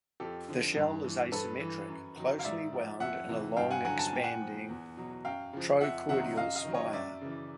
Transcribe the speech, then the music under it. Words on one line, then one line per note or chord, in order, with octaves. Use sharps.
The shell is asymmetric, closely wound in a long expanding trochoidal spire.
F2 G4 A4
D3 F3
G2
E3
G2 A4 B4
E3
F#2
D#3 F#3
F5
G#2 D5 E5
F3
F2 E5 F#5
C3 E3
G2 F5 G5
F#5 G#5
D3 F#3 F#5 G#5
A5
G#5
A#2 G5
F#5 G#5
F3
E2
B2 F#3
F#2 F5 G5
C#3 F3
F2 E5 F#5
C3 D#3 F#3 E5 F#5
F#2 D#5 F5
D#5 F5
D#3 F#3
C#5 D#5
F#2 D5 E5
C#3 E3